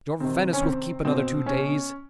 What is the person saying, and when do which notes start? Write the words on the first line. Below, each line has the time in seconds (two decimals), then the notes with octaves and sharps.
Your Venice will keep another two days.
0.20 C3 D#3 C4
0.53 C#4
0.62 C4
1.05 B2 C4
1.46 C#4